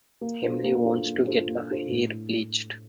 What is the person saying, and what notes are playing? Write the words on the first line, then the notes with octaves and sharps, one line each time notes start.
Emily wants to get her hair bleached.
A#3
D4 F4 A4 C5
A#3
D4 F4 A4 C5
A#3
D4 F4 A4 C5
A#3
D4 F4 A4 C5
A2